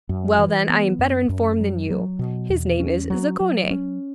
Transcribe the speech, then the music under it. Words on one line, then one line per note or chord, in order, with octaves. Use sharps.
"Well, then, I am better informed than you; his name is Zaccone."
F#2
E3
B3
F#2
F#2
F#3
F#3
B2
E2
C#4
F#3
F#3
C#4